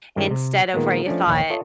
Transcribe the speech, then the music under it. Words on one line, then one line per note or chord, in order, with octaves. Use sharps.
instead of where you thought
G2 D#3 G3 G#3 C#4 E4
C3
A#2 D#3 G#3 A#3 B3
F3 A3 C#4 D4
A#1 D#2 C#5 F#5
F4 A4 C#5 D#5 E5